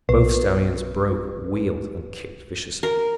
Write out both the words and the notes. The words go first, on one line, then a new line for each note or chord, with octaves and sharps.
Both stallions broke, wheeled and kicked viciously.
B1 B4
A#4